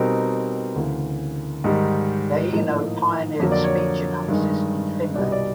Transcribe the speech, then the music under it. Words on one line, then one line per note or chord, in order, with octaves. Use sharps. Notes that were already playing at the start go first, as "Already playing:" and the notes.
Leino pioneered speech analysis in Finland.
Already playing: B2 G3 C4 D#4 A#4
D2 C#3 E3
G#2 D#3 G3
A2 F3 A#3 D#4
F2 D3 F#3 A#3 C#5
D5
C#5
G2 D#3 G#3
C2 B2 G3 D5
D#5
D5